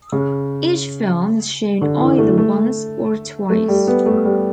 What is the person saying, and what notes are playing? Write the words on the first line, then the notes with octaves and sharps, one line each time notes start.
Each film is shown either once or twice.
C#3
D3
E3
A3
A3
A3
G3
B3
A3
G3